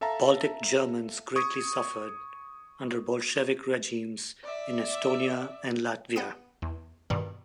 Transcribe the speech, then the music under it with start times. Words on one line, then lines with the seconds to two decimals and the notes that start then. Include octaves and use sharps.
Baltic Germans greatly suffered under Bolshevik regimes in Estonia and Latvia.
0.01 A4 E5 F5 A5 A#5
1.36 C#6 D#6 G#6
4.44 D5 E5
6.16 B3 G5 D#6
6.62 E2
7.10 G2 B2 D#3 G3